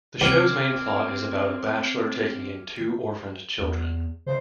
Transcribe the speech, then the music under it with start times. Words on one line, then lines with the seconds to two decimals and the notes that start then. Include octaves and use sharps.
The show's main plot is about a bachelor taking in two orphaned children.
0.21 C2 C4 D6 F6 G#6
3.59 E2
4.27 C#3 C5